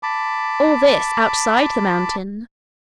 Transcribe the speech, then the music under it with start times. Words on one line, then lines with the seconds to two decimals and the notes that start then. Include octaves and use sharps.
All this outside the mountain!
0.03 A5 B5 D6